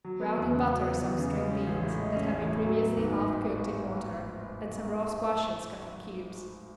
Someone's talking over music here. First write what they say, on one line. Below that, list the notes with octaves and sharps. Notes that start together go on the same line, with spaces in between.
Brown in butter some string beans, that have been previously half cooked in water and some raw squashes cut in cubes.
F#3
B3
E2
C#3
F#3
B3
E2
C#3
G#3
C#4
A1
A2
G#3
C#4
A1
A2
F#3
B3
G#1
G#2